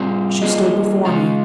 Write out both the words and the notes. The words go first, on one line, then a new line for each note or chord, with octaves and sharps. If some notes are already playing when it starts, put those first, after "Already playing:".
She stood before me.
Already playing: G3 C4 F4
G3 A#3 F4 G#4 D#5
C#3 G#3 C#4 F4